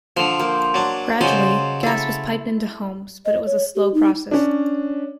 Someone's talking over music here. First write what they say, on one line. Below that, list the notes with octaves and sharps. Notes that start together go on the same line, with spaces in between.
Gradually gas was piped into homes, but it was a slow process.
D3 F3 C6
A#3 C5
F#3 D4
C#3 F#3 C5 D5 D#5
E4 A4
D#5
C#5
G4
D#4
C#4 D4